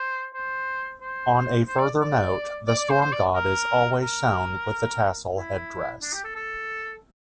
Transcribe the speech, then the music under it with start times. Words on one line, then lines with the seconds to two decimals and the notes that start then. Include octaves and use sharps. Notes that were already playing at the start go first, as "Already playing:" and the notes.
On a further note, the Storm God is always shown with the tassel headdress.
Already playing: C5
0.34 C5
1.01 C5
1.67 C5
1.79 D5
2.00 D5
2.67 D5
2.79 D5
2.89 C5
3.01 C5
3.12 D5
3.35 A#4
4.02 A#4
5.36 E4
6.01 D4
6.13 G4
6.24 A4
6.35 A4